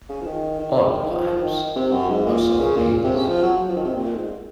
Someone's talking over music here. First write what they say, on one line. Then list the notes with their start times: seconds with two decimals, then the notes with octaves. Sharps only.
Odd perhaps, but so it is!
0.09 C#3
0.21 F3
0.26 D#3
0.60 D#3
0.71 D#3
0.76 C#3
0.93 D#3
1.09 F3
1.26 F3
1.37 F3
1.43 D#3
1.76 C3
1.93 F#2
2.09 G#2
2.26 A#2
2.60 C#3
2.77 A#2
3.04 C3
3.15 C#3
3.27 F3
3.43 F#3
3.68 F3
3.76 D#3
3.85 C3
3.93 A#2
4.04 A#2
4.15 G#2